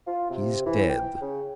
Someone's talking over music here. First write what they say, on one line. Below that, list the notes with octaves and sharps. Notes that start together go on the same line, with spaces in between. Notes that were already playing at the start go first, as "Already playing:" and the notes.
"He's dead."
F4
C3
E3
G5
C#3